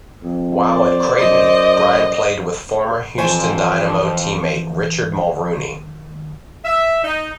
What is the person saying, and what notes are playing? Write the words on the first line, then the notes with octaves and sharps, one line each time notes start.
While at Creighton, Brian played with former Houston Dynamo teammate Richard Mulrooney.
F2
C5 D5
F#2 D#5
F2 E3 F3 C5 G#5 C#6
E5
D#4